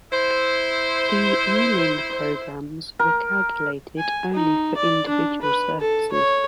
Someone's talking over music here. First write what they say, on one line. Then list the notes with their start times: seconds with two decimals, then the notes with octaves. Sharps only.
The milling programs were calculated only for individual surfaces.
0.11 E4 C5
2.99 A#4
3.98 G#5
4.33 D#4
4.76 D5
5.08 D4
5.42 B4
5.80 A4
6.12 C#5